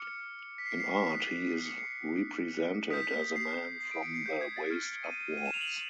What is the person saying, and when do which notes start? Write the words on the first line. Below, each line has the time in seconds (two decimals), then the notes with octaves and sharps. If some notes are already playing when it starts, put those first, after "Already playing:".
In art he is represented as a man from the waist upwards.
Already playing: D6 F6 C#7
0.58 B6
0.66 C7
0.80 C7
0.96 B6
1.10 D#6 F#6
1.55 C7
1.66 C#7
1.78 C7
1.89 C7
2.90 D#6 G6 B6
3.36 C7
3.81 C7
3.91 D7
4.03 C#7
4.14 C7
4.26 G6
4.41 G#6
4.56 A6
4.70 C#6 F6 G#6
4.82 C#7
5.04 D#7
5.37 D#7
5.46 E7
5.54 F7
5.61 F#7